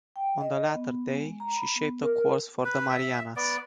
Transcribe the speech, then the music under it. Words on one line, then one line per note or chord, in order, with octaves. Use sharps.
On the latter day, she shaped a course for the Marianas.
G5
D#5
B3
G#3
A#5
B5
B3
A#4
B4
E5
B3 D5